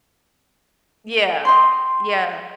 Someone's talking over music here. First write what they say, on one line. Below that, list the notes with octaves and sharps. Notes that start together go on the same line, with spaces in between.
Yeah, yeah.
D#5 G5 C6